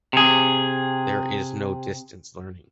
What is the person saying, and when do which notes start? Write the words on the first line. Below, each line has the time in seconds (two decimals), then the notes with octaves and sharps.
There is no distance learning.
0.13 C3 G#4